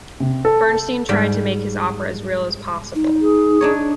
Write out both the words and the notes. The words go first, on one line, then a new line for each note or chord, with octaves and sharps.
Bernstein tried to make his opera as real as possible.
C3
A4
G#2 G3
D#4
G#4
D4 D#4 C#5